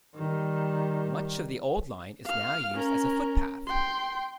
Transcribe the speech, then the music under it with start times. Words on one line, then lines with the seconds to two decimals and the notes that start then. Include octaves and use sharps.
Much of the old line is now used as a footpath.
0.15 D#3 G3
2.25 F5 F6
2.74 C#4 A#4
3.67 G5 C6